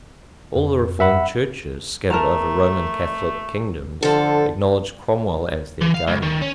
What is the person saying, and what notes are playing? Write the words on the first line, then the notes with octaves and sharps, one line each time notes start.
All the reformed Churches scattered over Roman Catholic kingdoms acknowledged Cromwell as their guardian.
F2
E5 F#5 B5
A3 A#4 A5 A#5
D3 F3 A4
E3
F5
C#2
D#3
C#4